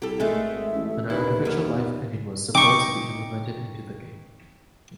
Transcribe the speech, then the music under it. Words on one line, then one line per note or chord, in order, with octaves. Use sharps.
An artificial life engine was supposed to be implemented into the game.
C2 G4 A4
G#1 G#3 A3 E5
A1
D#2 E4 B4
F#2 A#4 E5
B3
C4 D#4 G5 C#6 D6